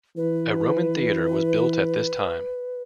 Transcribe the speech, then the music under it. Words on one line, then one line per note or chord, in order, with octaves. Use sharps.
A Roman theatre was built at this time.
E3 B4